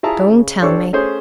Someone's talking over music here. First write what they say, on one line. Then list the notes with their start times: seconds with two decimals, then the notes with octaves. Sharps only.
Don't tell me.
0.03 E4 F4 G#4 E5 A5 A#5
0.27 C#3
0.62 D4 G4 A4 C5 C#5 C#6
0.93 A3 C#4 G#4 C5